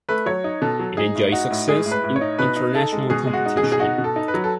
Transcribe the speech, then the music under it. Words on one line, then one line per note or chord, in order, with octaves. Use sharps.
It enjoyed success in international competition.
A3 B4
F#3 C#5
D#4
B2 A4
F#3
D#4 G#4
A2
D#4 F#4
A2
G#3 G#4
A2
B4
A2
C#5
D#4
B2 B4
D#4
D#4 A4
G#3
B2 G#4
G#3
F#4
D#4
G#4
B2
G#4
D#4 F#4
B2
A4
D#4
B4
F#3
A4